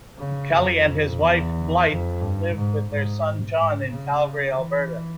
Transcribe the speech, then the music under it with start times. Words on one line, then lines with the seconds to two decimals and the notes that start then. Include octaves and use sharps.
Kelly and his wife Blythe live with their son John in Calgary, Alberta.
0.18 C#3
0.53 F2
1.20 E2
1.88 F2
2.21 G2
2.55 G#2
2.90 G#2
3.56 G#2
3.90 C#3
4.57 E3